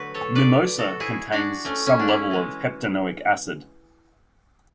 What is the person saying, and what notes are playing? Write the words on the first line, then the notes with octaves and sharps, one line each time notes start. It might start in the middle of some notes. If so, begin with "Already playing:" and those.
Mimosa contains some level of heptanoic acid.
Already playing: D3 F#3 A3 F#4 B4
A4 C#5
B4 D5
F#4 A4
E4 G#4
D4 F#4
A3 C#4
C#4 E4
D4
C#4 E4
C#3 E3 G#3